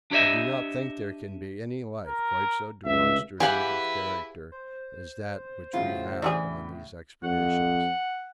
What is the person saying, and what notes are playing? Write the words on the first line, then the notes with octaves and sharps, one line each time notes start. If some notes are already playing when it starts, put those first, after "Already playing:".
I do not think there can be any life quite so demonstrative of character as that which we had on these expeditions.
D4 G4 C#5 D#5 E5
A#4
C#2 E5
E4 G4 G#4 B4 F5 F#5 G#5
C5
A2 C#3 F#3 F4
D3 E3 E4 G#4
F2 F#5